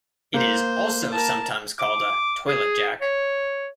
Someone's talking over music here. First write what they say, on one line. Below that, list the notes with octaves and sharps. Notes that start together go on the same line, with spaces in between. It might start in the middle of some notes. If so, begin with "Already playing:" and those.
It is also sometimes called a toilet jack.
A#3 C5
A#4 A5
D6
G#4
C#5